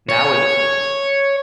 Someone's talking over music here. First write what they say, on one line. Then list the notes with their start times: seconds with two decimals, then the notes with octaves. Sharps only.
Now it is moving.
0.09 C#5